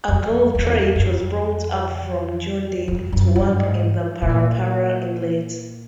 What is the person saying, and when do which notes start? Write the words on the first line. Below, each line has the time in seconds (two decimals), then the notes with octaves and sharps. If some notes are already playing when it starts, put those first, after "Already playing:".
A gold dredge was brought up from Dunedin to work in the Parapara Inlet.
0.08 F2
0.55 E2
0.96 F#2
1.02 F2
2.88 F2
3.12 F#2
3.36 G2
3.59 G#2
4.22 A2
4.29 A#2